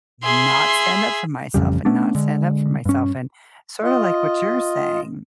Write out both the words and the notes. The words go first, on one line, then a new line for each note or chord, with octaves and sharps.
not stand up for myself and not stand up for myself, and, sorta like what you're saying
G#4 E5 C6
A1 F2 C#3 G3
A3 B3 C#4 D4
D3 G#3
G2 C#4
F4 D#5